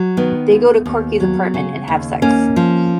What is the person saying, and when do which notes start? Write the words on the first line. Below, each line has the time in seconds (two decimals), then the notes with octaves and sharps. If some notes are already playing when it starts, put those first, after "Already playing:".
They go to Corky's apartment and have sex.
Already playing: F#3
0.17 D#3 B3
0.52 D#2
0.86 D#2
1.20 F#3
1.54 C#3
1.88 D#2
2.22 A#3 C#4
2.56 F3